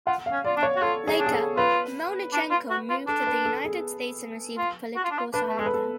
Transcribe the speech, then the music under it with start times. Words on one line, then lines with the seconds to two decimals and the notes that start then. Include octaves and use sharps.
Later, Melnychenko moved to the United States and received political asylum there.
0.07 F4 F#5
0.26 F5
0.32 C#4
0.44 F4 D5
0.57 D4
0.63 C#5
0.77 F#4
0.82 F4 A4
1.07 G#4
1.20 D4
1.26 G#4
1.32 A4
1.57 F4 B4
2.33 D4
2.51 F4
2.70 F#4
2.90 F4
3.07 D4 A4
3.27 B4
3.45 A4
3.65 G#4
4.58 F4
4.96 F#4
5.04 F4
5.11 D4
5.19 F4
5.34 D4 B4
5.49 A3
5.58 G#3 A4
5.66 B4
5.74 A4